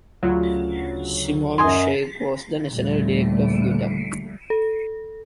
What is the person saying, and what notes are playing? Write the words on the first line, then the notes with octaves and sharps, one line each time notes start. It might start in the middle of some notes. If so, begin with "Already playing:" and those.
Simon Sheikh was the National Director of GetUp!
D2 C#3 F#3 F4
F#2 D#5 G#5 C6
A#1 D#2 D3 G3 A3
A4